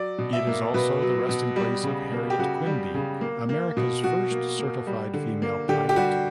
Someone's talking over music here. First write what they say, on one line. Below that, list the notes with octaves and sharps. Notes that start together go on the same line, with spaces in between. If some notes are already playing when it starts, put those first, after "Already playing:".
It is also the resting place of Harriet Quimby, America's first certified female pilot.
Already playing: F#3 D5
B2
E5
A#3
B2 B4
F#3
B2
G3
C#3
A#3
G4
C#3 F#4
G3
C#3
A#3
A#3
B2
B2 F#4
A#3
A#3
G3
D3
A#3
D3 G4
G4
G3 F#4